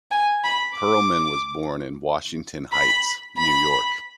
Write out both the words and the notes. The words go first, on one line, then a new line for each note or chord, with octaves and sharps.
Perlman was born in Washington Heights, New York.
G#5
B5
D6
B5
B5